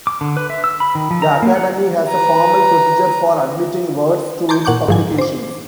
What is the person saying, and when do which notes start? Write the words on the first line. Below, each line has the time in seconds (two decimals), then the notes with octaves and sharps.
The Academy has a formal procedure for admitting words to its publications.
0.07 D6
0.21 D3
0.37 B4
0.50 E5
0.64 E6
0.80 B5
0.95 D#3
1.11 F3
1.22 A#5
1.42 A#3
1.55 F#5
2.07 B4 A#5
4.49 A5 A#5 C6 D6 G6 G#6
4.65 A#2 F#5 C#6 D6 G6
4.88 G#2 F3 G#5
5.18 C5 D6